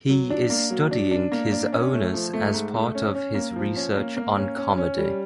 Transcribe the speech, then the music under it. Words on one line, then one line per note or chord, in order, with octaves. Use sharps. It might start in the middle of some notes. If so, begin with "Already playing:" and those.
He is studying his owners as part of his research on comedy.
F#3
D4
A#3
F#3
D4
D4
A#3
D4
C#4
A3
F3
A3
G#2
A3
C#4
C#4
A#3
F3
C#4
A#3
A#3
C#4
C#4
C#4
G3